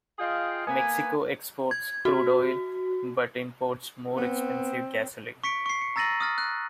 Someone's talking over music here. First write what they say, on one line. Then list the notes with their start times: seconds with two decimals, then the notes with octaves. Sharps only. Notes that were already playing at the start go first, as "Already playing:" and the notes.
Mexico exports crude oil, but imports more expensive gasoline.
0.19 F4 G#4 D#5 F5 G5
0.67 A#3 B3 B4 G#5
1.71 G#6
2.05 F#4
4.17 B3 C4
5.44 C#6 B6 C#7 D7
5.66 C#6 C7
5.82 C#7
5.96 A#5 E6 A6 A#6 D#7 F#7
6.20 D#6 F6 A6
6.38 F#6